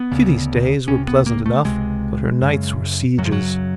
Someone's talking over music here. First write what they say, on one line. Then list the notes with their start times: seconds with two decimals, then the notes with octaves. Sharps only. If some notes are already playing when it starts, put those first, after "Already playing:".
Kitty's days were pleasant enough, but her nights were sieges.
Already playing: B3
0.11 D2 C#3
0.88 C#2 C3 C#4
1.08 B3
1.26 A#3
1.46 A3
1.65 C#2 C3 G#3
2.41 F#2 C#3
3.18 F#2 F#3
3.21 C#3 F3
3.32 F#3